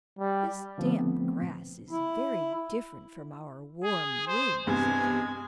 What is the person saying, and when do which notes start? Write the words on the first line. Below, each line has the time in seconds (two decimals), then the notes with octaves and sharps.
"This damp grass is very different from our warm room," says one.
0.19 G3
0.78 D3 F3 A3 B3 C4
1.91 E4
3.83 G#4
4.28 C5
4.67 E2 G2 C3 G#3 G#5